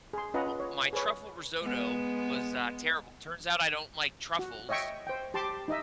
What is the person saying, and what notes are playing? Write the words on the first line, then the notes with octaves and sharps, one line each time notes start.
Oh, my truffle risotto was, uh, terrible, turns out I don't like truffles.
G#4 C6
C#4 F4 B4 D#5 F#5 A#5
C#5
G#4 B4 C#5
G#3 B3
F#4
C#5 D#5 E5 G5 C#6
C5 G5
G4 A5 C6 D6
D#4 D#5 E5